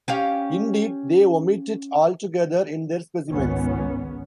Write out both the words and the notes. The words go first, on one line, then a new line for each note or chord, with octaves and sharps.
Indeed, they omit it altogether in their specimens...
C#4 G4 F5
G#1 C#2 G#2 D#3 B3 C#4